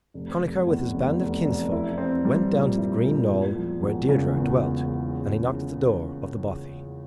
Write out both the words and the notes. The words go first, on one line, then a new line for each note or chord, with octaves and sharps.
Connachar with his band of kinsfolk went down to the green knoll where Deirdre dwelt and he knocked at the door of the bothy.
F1
F1
E2
F1
F1
F1
E4
C4
G3
A#2
E4
A#2
E1
F3
E1
C#3
E2